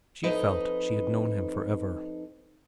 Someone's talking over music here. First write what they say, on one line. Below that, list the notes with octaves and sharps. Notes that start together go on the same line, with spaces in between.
She felt she had known him for ever.
F2 D#4 B4 D#5